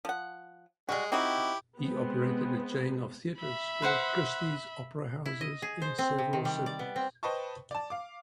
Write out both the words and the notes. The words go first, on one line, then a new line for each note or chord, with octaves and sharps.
He operated a chain of theaters called Christy's Opera Houses in several cities.
F3 F#5
G3 G#3 F#4
C4 D#4 E4 F#4 G4
G#3 B3 C4
E5 B5
B4 C5 F#5
E4
D#5
G#4
C5
C4
C3
D#3
G3
D5
B3
C4
B4 C5 D#5 G5 A5 C#6
D5 A5
F5 D6